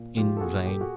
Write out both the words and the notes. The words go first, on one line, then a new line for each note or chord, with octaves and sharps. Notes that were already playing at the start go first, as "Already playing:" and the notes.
In vain!
Already playing: A#2
F3 F4 G4
A4
A#2 F#4 G#4
A#2 G4 A4
F#4 G#4